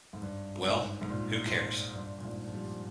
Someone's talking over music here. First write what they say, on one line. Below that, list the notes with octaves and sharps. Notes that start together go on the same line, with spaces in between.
Well, who cares?
G#2
G2
G#2
G#2
A#2
G#2
G2
A#2
G#2
F3
G3